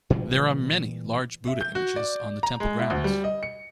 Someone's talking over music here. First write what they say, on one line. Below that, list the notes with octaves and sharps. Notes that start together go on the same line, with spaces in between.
There are many large Buddha images on the temple grounds.
A#2 E3 G3 G#3
E5
G6
F#4
D5
A#5
G#3
E4
D2
G3
D#5
C#7